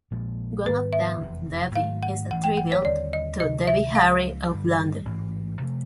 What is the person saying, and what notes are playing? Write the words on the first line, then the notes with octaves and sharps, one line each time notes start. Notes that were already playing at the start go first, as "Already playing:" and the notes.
One of them, "Debbie", is a tribute to Debbie Harry of Blondie.
A#1 A#2 F3 G#3
G#2 D#3 G3 B3 B4
E5
F1 E2 C3
G#2 D#3 F#3 A3 F5
F#5
A1 G2 E3 F#5
G5
F#5
C#5
D#2 D3 G3 C4 D5
D#5
D2 C3 D#3 F#3 D#5
E5
C#2 C#3 F3 G#3 F5
G2 D3 G3
A1 G#2 E3
C3 F3 A3